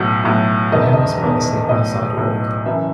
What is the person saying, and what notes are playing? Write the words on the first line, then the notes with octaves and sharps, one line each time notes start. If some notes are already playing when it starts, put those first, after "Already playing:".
A homeless man asleep on a sidewalk.
Already playing: B1 A2 F#3 F#5
B1 A2 F#3
E1 E2 D#3 D#5
E5
D#5
E1 E2 D#3
B1 A2 F#3 D#5
B1 A2 F#3
F#1 F#2 E3 E5